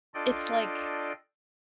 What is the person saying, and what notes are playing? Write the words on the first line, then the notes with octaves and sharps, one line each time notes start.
it's, like
D4 F4 A4 D5 D#5 G5